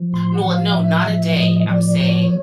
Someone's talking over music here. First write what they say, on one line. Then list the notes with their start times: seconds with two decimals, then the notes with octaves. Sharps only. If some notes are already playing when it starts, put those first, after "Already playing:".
No a no not a day, I'm saying
Already playing: F3
0.13 A2 C6
0.34 F#5
0.45 F3
0.54 F5
0.75 A2 E5
1.07 F3
1.38 A2 D#5
1.60 D#5
1.69 F3 D5
2.00 A2 C#5
2.09 D5
2.16 C#5